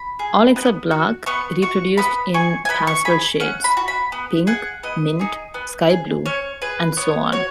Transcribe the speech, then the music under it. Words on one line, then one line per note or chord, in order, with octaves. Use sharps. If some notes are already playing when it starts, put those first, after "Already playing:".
All except black reproduced in pastel shades: pink, mint, sky blue, and so on.
Already playing: B5
G#4
B3
F#4
B3 C#6
F#4 C#6
B3 B5
G#4 C#6
G#5
B3 B5
C#6
G#4 B5
C#4 F#5
B5
F#4
B5
B3
G#4 F#5
B3 D#5
D#4 G#4
B3
G#4
C#4 C#5
G#4 B4
B3 C#5
F#4 C#5